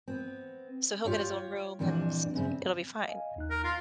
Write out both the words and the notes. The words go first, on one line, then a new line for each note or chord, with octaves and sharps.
So, he'll get his own room, and, s e it'll be fine.
B3 C4
F4 G4 C#5 F5
F2 A#2 E3 G3 C#4 D4
F#2 C#3 C4
D#5 F5 G#5
D#2 D#4 F#6
A#4
F4